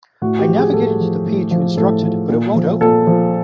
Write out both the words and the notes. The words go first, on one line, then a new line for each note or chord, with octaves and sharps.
I navigated to the page you instructed, but it won't open.
A2 F#4
G4
F3
G#4
A2 A4
F3
A2
F3
A2 A4
F3
A#2
F3
A#2 A4
F3